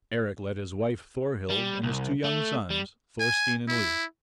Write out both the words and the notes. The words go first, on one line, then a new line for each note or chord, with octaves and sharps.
Eric led his wife Thorhild and his two young sons, Thorstein and Leif.
G3
C2
A3
G3
G#5
E4